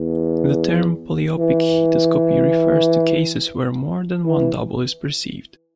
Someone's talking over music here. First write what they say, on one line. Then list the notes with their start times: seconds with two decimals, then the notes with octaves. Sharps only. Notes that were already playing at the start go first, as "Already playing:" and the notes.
The term polyopic heautoscopy refers to cases where more than one double is perceived.
Already playing: E2
1.38 E3
4.26 E3